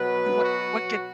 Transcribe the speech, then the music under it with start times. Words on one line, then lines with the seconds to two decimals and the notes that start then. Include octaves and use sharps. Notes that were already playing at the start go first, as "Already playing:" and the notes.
And what what could
Already playing: B2 F#3 B4
0.43 F#4